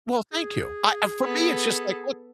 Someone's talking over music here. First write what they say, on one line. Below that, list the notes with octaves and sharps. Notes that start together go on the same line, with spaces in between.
Well, thank you. I, uh, for me, it's just like, look
G#4
B3 A4